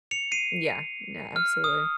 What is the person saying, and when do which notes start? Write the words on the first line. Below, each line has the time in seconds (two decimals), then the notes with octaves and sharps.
Yeah. No, absolutely.
0.11 C#7 F7
0.32 C7 D#7
1.36 F6
1.64 D#6